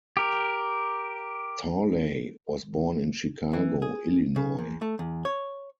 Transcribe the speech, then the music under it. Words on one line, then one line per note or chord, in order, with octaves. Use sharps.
Talley was born in Chicago, Illinois.
G4 A#4
E3
G#4
C#3
E2
A3
E2
C#5